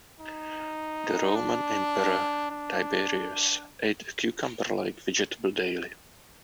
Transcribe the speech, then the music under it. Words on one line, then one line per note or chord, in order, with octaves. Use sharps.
The Roman emperor Tiberius ate a cucumber-like vegetable daily.
D#4
D4
D4